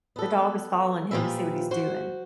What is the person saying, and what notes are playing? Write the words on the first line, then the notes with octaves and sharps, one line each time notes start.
the dog is following him to see what he's doing.
B3 A4
A#2 F3 F4 G4 B4 E5
F#4 C5